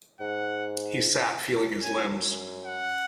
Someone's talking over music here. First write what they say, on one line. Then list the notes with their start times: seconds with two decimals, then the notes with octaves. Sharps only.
He sat feeling his limbs.
0.20 G#2 F#5
1.83 F#2 G#5
2.65 F#5